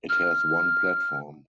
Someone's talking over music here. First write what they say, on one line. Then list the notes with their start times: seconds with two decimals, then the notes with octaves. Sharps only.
It has one platform.
0.09 F6